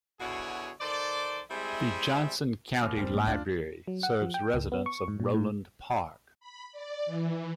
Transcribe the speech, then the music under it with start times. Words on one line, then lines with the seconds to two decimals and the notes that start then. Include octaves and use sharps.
The Johnson County Library serves residents of Roeland Park.
0.20 B2 D3 E4 F#4 G#4 C#5
0.81 D#3 A4 C5 D5
1.50 G3 G#3 C4 E4 G#4 E5
2.83 D#2 F6
2.97 D1 G3 C4
3.12 G#2 A#3
3.27 D2 D4 F4
3.88 F#3
4.03 F#5
4.22 F3
4.34 G5
4.54 C#2
4.72 B3
4.86 C#6
5.08 G#2
5.20 A#2
5.34 A2
6.40 B5
6.72 D5
7.06 E3